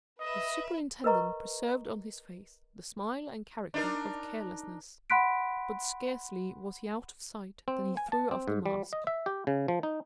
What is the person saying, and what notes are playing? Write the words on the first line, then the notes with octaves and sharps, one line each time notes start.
The superintendent preserved on his face the smile and character of carelessness; but scarcely was he out of sight than he threw off the mask.
B4 D#5 E5
A#4 B4 D#5 A#5 C#6
D4 D#4 A#4
F#5 B5 C6 F#6 B6 D7
C4
G#5
A5
C4
G#2
G3
D#5
E5
G4
C#3
F3
D#4